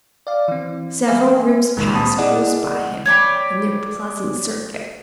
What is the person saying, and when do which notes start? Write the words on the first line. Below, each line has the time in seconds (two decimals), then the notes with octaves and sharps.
Several groups passed close by him, in their pleasant circuit.
0.27 D5 F5
0.48 E3 C4
1.08 B4 E5 F5 G#5
1.77 C#2 A#2 D#3 G#3
1.95 A#2 C4 A5 B5 D#6
2.18 E4 G#4 D5 D#5 F#5
3.06 C#5 D5 G5 B5